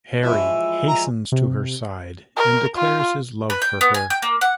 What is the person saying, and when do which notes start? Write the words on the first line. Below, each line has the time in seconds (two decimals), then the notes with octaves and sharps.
Harry hastens to her side and declares his love for her.
0.23 E3 F3 G#3 E4 F#4
0.88 A#5
1.32 C3
2.36 A#4
2.76 F4
3.50 B4
3.62 G5
3.81 B3
3.94 G#5
4.10 G5
4.22 A#3
4.41 F#5